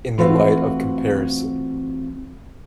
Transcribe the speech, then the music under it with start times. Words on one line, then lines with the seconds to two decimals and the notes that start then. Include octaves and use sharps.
in the light of comparison,
0.18 E3 A3 C4 F4 F#4